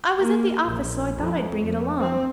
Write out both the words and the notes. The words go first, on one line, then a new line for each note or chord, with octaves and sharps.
I was at the office, so I thought I'd bring it along.
A#3
A#1
F2
F2
C4